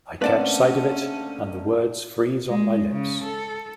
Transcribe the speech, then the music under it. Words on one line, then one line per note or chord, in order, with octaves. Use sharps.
I catch sight of it, and the words freeze on my lips.
D3 A3 A#3 C4 C#4 B4 D5 A5
G#3
C#3
A4